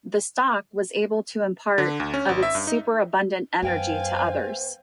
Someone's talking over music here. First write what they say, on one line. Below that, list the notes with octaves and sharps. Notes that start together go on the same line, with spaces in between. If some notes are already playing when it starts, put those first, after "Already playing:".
The stock was able to impart of its superabundant energy to others.
D3
D2
C#4
G#1
E5
G2
D#4
F#2 B3 C5 F5 G5 G#5